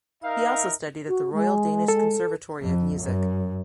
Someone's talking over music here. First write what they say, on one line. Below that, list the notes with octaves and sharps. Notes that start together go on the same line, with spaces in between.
He also studied at The Royal Danish Conservatory of Music.
D#4 A#4 E5 F5
F#4
G#3
A4
F2
F#2